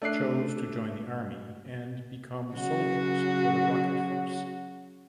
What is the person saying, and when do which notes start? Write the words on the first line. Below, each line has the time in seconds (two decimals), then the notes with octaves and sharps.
Chose to join the army and become soldiers for the rocket force.
0.02 A3 D4 F#6 C7
2.53 C#3 F#3 F#4